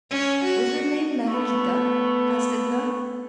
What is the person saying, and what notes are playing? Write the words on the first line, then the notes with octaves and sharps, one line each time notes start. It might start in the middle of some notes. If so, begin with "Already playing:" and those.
"Was her name Mariequita?" asked Edna.
C#4
F#4
A3 B3